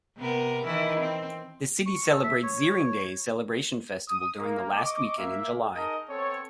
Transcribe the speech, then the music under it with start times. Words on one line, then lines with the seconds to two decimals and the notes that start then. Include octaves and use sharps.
The city celebrates Zearing Days Celebration festival during the last weekend in July.
0.18 C3 B3 A#4
0.66 D#3 E3 E4
1.00 C4
1.86 C#6
2.10 A4
2.24 E5
2.43 C#5
4.09 D#6
4.39 A#3
4.73 D#5 C#6 D6
5.18 A#3 E5
5.76 D#4 G#4 A#4 D#5 A5
6.10 B3 C4 A4 C#5